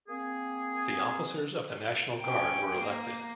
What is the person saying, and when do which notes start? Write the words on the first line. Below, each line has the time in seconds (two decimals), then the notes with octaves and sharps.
The officers of the National Guard were elected.
0.08 A#3 C4 G#4
2.22 C#4 G5
2.79 A#3